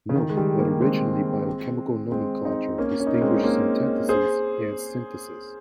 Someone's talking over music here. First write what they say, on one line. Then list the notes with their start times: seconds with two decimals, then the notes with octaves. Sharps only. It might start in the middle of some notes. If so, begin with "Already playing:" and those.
Note that, originally, biochemical nomenclature distinguished synthetases and synthases.
0.09 C#3
0.15 D#3
0.29 G#3
0.37 D#3 G3
0.59 G3 A#3
0.81 G#3 C4
2.12 G#3 C4
2.45 C4 D#4
2.78 A#3 C#4
3.00 C#4
3.07 D#4
3.14 A#3 C#4
3.21 G#3 C4
3.36 D#4
3.43 A#3 C#4
4.09 G#4 C5